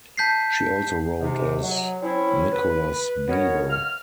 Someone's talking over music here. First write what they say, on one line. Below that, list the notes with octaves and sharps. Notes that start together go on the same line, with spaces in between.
She also wrote as Nicholas Bevel.
A5 G6 B6 C7
G#2 C3
F#3
C4 C#4 E4
B4
B3 C#4 D#4 F#4 A#4 C#5
F6